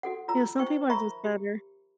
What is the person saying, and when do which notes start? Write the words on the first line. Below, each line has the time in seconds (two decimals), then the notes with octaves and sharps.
Yeah, some people are just better.
0.03 F#4 A4 F#5
0.28 F4 A#5 E6
0.59 D#4 C5 G5 C#6
0.90 A#4 E5 A#5 B5 C#6
1.24 G4